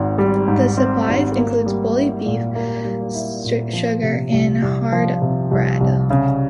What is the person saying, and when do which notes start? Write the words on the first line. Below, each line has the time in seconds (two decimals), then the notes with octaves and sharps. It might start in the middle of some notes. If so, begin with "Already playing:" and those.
The supplies include bully-beef, sugar and hard bread.
Already playing: G#1 G#2 C4
0.18 G3
0.48 G#2
0.78 C4
1.08 G#1
1.37 A#3
1.66 G3
1.96 E4
2.26 A#2
2.55 A#3
2.85 G3
3.14 E4
3.44 A#2
3.73 F3
4.03 C3
4.32 C2
4.62 C2
4.92 F3
5.22 C3
5.51 C2
5.81 C2
6.10 C#3